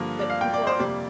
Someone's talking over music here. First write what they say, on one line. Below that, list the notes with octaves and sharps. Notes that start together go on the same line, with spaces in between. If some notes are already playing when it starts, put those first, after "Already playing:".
That people are
Already playing: G2 D3 F3 A#3
D5
F5
G5
D5
C5
F2 C3 G3 A#3 D5